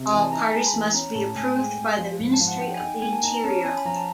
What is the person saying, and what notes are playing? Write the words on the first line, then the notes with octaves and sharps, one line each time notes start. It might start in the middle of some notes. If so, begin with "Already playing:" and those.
All parties must be approved by the Ministry of the Interior.
Already playing: C3
E3 G#5
A5
D#4 A#5
A5
G#3 G#5
B5
E3
B5
C#4 A#5
A2 A5
A2 G#5
G5
G#3 G#5
G#3
F3
G#2
A5
F3
F#5
D#4 G5
G#5
D#4
G5
A#3 G#5
A5
D#4 A#5
A#5
C#4 A5
C#4 G#5
B5
F3 A#5
A5